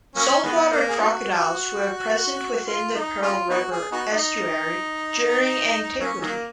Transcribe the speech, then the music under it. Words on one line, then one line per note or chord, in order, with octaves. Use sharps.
Saltwater crocodiles were present within the Pearl River estuary during antiquity.
F#3 A#3 C#4
D#3 G#3 B3
A#3
G#4
B3 D#4 F#4
F4
D#4
G#3 C#4 F4
B3 D#4 F#4
G#4
B3 D#4 F#4
D#4
F#3 A#3 C#4
D#3 F#3 A#3